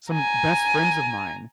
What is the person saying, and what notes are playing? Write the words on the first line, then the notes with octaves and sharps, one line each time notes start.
some best friends of mine,
G#5 A#5